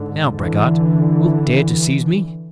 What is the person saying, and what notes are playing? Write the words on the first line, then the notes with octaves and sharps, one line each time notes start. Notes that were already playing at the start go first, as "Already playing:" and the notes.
"Now, braggart, wilt dare to seize me?"
Already playing: G#2 D3
D3 E3